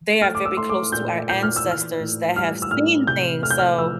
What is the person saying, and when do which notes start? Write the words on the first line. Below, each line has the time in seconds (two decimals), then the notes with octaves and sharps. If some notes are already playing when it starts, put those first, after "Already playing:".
they are very close to our ancestors that have seen things, so
0.21 A3 F6
0.35 D6
0.45 E6
0.57 A3 C6
0.69 D6
0.92 A#2 G6
1.29 A#2 G6
1.43 F6
1.56 E6
1.64 E3
1.71 F6
2.00 A2
2.36 G3 F6
2.62 E6
2.71 A2 F6
3.07 C3 G6
3.42 A3 F6
3.51 G6
3.59 F6
3.78 F3 E6